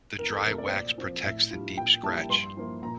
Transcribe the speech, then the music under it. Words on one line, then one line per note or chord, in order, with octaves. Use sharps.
The dry wax protects the deep scratch.
E2 A#4
A4
C3 E3 A3 A#4
D5
C5
A#2 D5
F3 C4
A2 E5
G3 D4 F4
A#2 G5
G3 A#3 E4 A5
G2 C6
F3 A#3 E4
A#2 A#5